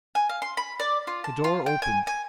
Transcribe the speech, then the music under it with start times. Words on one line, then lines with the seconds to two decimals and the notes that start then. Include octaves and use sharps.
The door opened.
0.15 G#5
0.29 F5
0.42 C6
0.57 B5
0.80 D5
1.07 F4
1.24 A5
1.44 F4
1.66 G5
1.82 G#5
2.07 G#5